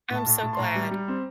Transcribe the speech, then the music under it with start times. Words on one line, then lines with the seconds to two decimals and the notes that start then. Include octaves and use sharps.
I'm so glad.
0.10 A2
0.16 A5
0.26 A2
0.38 A5
0.43 A2
0.53 C6
0.59 A2 A#5
0.75 G3
0.91 G3
1.08 C4